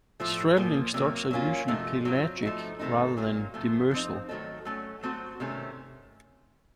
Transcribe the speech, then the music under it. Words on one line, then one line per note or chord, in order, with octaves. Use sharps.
Straddling stocks are usually pelagic, rather than demersal.
A2 F3 A3
A#2 F3 A#3
C3 F#3 A#3
F#3 A#3 C#4 F4
C3 F3 A3 D#4
F#3 C4 F4
F3 A3 D#4
C3 D#3 A3 C4 D#4
A#2 F#3 A#3 F4
C3 F3 A3
F3 C4 D#4
D#3 F#3 A3 D#4 A4
F#3 A3 C#4
F#3 A3 C4 F#4
C3 D#3 A3 C#4